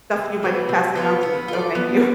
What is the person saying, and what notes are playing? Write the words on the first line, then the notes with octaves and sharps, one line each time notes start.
stuff you might be passing on to me. No, thank you."
C3
E3 B3 F4
C3
E3 B3 F4
B3
F4 A4 D5
B3